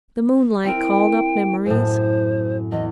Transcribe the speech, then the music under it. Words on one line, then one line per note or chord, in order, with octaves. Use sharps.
The moonlight called up memories.
C4 E4 A#4 G5
F#2 A2 C5
E2 D#5